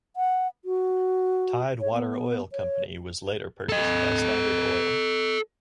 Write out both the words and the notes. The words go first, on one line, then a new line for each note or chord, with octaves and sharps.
Tide Water Oil Company was later purchased by Standard Oil.
F#5
F#4
C#5
B3
C#5
A4 D#5